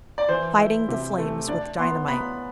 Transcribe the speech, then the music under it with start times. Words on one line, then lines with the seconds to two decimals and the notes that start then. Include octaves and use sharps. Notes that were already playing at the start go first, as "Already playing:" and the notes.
Fighting the Flames With Dynamite.
0.18 D5
0.29 E3 C5
0.58 E4
0.89 C3
1.18 A3
1.48 D4 D5
1.78 B3 C6
2.08 B3 B5